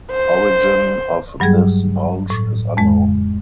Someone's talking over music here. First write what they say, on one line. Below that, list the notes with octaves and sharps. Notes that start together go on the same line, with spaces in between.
Origin of this bulge is unknown.
C5
G2 F#3 G3 G#4 G#6
A2
F2 G#3